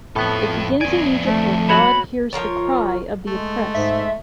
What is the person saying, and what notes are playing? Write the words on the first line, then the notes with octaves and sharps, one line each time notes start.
It begins in Egypt where God "hears the cry" of the oppressed.
F2 A2 B3 A4
F2 D5 G#5
A3
F#4 C#5 E5 B5
F3 F4 A#4 C#5
G#3 A3
G#2 E5